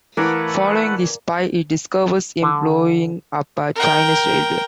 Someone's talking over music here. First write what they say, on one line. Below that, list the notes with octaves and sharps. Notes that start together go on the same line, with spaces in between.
Following the spy, he discovers him blowing up a Chinese railway.
E3 A3 A#4 B4 D5 F5 F#5
D3
A#4 G5